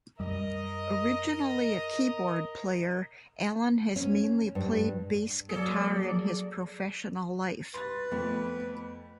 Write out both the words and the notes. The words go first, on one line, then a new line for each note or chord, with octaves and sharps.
Originally a keyboard player, Alan has mainly played Bass Guitar in his professional life.
F#2 G3 A#4 D#5
C#4
G2
F#3 A#3 G#4 A4 D5
B4 C6 A6
F2 A3 B3